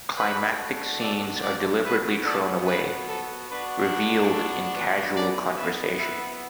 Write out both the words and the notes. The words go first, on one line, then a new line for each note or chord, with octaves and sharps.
Climactic scenes are deliberately thrown away, revealed in casual conversation.
A3 D4 F#4 B4
A4 D5
D5 F#5
B3 F#4 B4 E5
A4 D5
B4
A4
B3 D4 F#4 B4
A4
B4
B3 E4 A4 D5
B4 E5
B4 E5